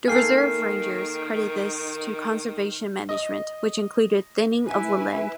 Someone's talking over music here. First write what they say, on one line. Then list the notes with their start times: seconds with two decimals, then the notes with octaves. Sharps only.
The reserve rangers credit this to conservation management, which included thinning of woodland.
0.08 D#3 A#3 A4 A#4 G5 G#5 F6 C7
3.09 D#5
4.67 E4 B4 E5 G#5